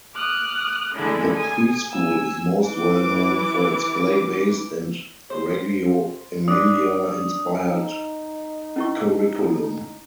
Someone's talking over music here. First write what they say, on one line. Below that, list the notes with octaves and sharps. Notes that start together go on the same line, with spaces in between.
The Preschool is most well known for its play-based and Reggio Emilia-inspired curriculum.
D6 D#6 F6 F#6
D3 G#3 A3 D4 E4
G#5 D#6
G#5 E6
E3 D6
C5
D4 D#6
D#4
C#4 E4 C#6